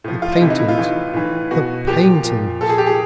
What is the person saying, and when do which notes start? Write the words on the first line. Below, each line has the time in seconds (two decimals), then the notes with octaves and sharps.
The paintings--the paintings!
0.04 A2 F3
0.22 F4
0.36 D#4
0.41 C3 E3 E4
0.50 D#4
0.59 E4
0.68 F4
0.78 A2 E3
1.14 A2 E3
1.51 B2 F#4
1.87 A#2 F3 G4
2.24 A#2 F3
2.61 A#2 F3 A4
2.69 G#4
2.78 G4
2.87 G#4